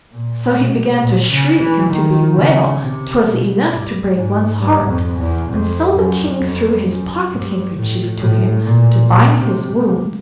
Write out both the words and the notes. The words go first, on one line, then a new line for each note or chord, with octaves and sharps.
So he began to shriek and to bewail; 'twas enough to break one's heart; and so the king threw his pocket-handkerchief to him to bind his wound.
A#2
B2
A#2
C#3
E3
D#3
C#3
C3
B2
G2
G#2
G2
F2
E2
F2
F#2
F2
F#2
G2
A2
A2
A#2
A#2
C3
C3